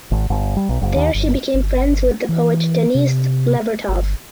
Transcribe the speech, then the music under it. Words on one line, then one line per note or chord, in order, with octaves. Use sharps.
There she became friends with the poet Denise Levertov.
G#1
G1
G3
B1
F#1
D#2
G1
G1
E3
C3
G1